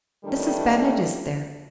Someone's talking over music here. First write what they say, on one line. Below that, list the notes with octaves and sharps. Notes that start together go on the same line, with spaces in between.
Mrs. Bennett is there.
A2 D#3 E3 G3 A3 D4